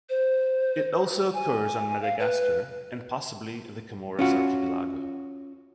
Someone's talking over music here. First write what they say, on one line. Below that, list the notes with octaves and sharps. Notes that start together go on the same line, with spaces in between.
It also occurs on Madagascar and possibly the Comoros archipelago.
C5
G#5
F5
B4
C#4 F4 F#4